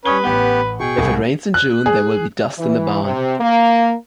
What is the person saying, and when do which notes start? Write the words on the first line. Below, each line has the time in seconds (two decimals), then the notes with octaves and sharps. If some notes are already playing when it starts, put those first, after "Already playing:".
If it rains in June, there will be dust in the barn.
0.05 G3 C#4 B4 C#5 D#6 G7
0.24 A1 B3 G4 F#5 G7
0.80 B2 G#4 G5 C#6
0.98 C2
1.54 F#6
1.86 G#4
2.58 E3
3.03 C3
3.40 A#3